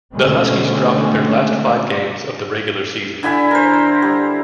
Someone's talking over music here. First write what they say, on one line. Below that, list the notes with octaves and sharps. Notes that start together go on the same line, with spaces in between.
The Huskies dropped their last five games of the regular season.
B2 D3 G#3 A3 C4 C#4
D3 E4 E5 G#5
A#4 C5
G3